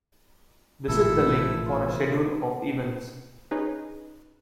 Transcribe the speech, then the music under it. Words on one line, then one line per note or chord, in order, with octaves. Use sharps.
Visit the link for a schedule of events.
A1 A#2 E4 A4 E6
E4 F4
C#4 D#4 G#4 B4